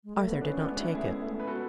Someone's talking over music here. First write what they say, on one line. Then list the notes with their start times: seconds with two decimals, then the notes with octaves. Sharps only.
Arthur did not take it.
0.04 G#3
0.16 A3
0.28 B3
0.41 B3 C#4 D4
0.59 B3 D4
0.68 G#3
0.76 C#4 E4
0.94 A3 E4 G#4
1.08 G#3
1.22 A3
1.34 G#3
1.40 B4
1.47 B3 F#4 A4